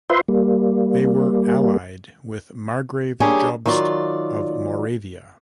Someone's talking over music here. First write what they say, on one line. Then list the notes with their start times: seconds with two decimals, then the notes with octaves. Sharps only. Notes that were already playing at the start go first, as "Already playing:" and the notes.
They were allied with Margrave Jobst of Moravia.
0.10 F4 B4 C5 E5 C6
0.28 G3 A#3
3.20 G3 A#3 C#4 D4 G4 G#4
3.66 D#3 F#3 F4 D5